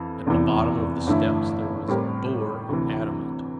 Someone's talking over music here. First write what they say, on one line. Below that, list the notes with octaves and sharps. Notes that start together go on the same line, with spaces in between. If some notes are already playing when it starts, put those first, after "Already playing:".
At the bottom of the steps there was a door of adamant.
Already playing: F2 E3
F1 E2 C3 E3
G1 G2 E3 A3 E4
A2 G3 C4 G4 A#4
D2 C3 E3